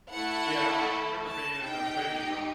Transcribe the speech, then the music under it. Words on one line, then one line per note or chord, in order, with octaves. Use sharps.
Yeah, I I can remember being in that stadium now.
A3 E4 A4 F#5
A5
D#4 G4 G5